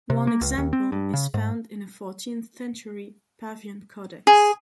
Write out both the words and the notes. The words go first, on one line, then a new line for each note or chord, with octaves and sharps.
One example is found in a fourteenth-century Pavian codex.
C3
A#3
C#2
D#2
C4
G2
C#3
G#2
G#4